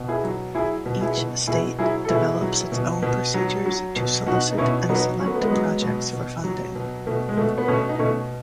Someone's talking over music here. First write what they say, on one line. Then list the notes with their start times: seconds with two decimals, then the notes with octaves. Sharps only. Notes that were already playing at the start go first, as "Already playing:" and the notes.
Each State develops its own procedures to solicit and select projects for funding.
Already playing: B2
0.08 E4 G#4
0.24 F#3
0.55 F#3 E4 G#4
0.86 B2
1.01 E4 G#4
1.17 B2
1.47 B2 E4 G#4
1.78 F#3 E4 G#4
2.05 A4
2.09 B2 E4 G#4
2.41 F#3
2.72 B2
3.02 B2
3.34 F#3
3.66 F#3
3.96 B2
4.26 B2 D#4 F#4
4.51 D#4
4.58 B2 C#4 E4
4.89 F#3 B3 D#4
5.20 F#3 C#4
5.27 B3
5.35 A3
5.41 G#3 B3
5.51 F#3
5.82 B2
6.13 B2
6.44 F#3
6.75 B2
7.06 B2 A3
7.29 G#3
7.37 B2 A3
7.58 B3
7.68 B2 A3 C#4
7.89 D#4
7.99 B2 A3 C#4